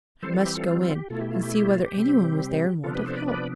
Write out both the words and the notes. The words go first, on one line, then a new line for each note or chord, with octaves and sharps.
I must go in, and see whether anyone was there in want of help.
E3 G3 C4 A4 C5
F4 A4
G4
F4 A4
F4
F4
G4
B2 A3 E4 F4 A4
G4
F4
G4
G4
F4
G4
C3 G3 C4
C3 F3 B3 D4 F4 A4
G4 B4
A4 C5
B4 D5
B4 D5